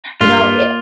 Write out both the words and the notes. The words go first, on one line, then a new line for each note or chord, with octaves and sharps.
you know, i
G2 F4
A#3